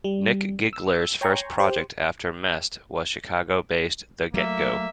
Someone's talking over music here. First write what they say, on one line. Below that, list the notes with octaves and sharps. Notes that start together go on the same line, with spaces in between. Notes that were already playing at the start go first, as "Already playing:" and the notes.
Nick Gigler's first project after Mest was Chicago-based The Get Go.
G3
E6
C#5 G5 G#5 A#5 C6 C#6
G4 C5
F#3 A3 A#3 E5